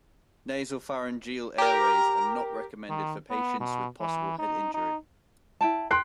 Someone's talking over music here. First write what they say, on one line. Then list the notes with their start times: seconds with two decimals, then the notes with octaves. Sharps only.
Nasal pharyngeal airways are not recommended for patients with possible head injury.
1.58 G4 A#4 A#5
2.89 D#3
3.30 B3
3.60 B2
4.01 E3
4.39 D#4
4.75 D#4
5.61 E4 G5 A5
5.91 G5 C6 F#6 C7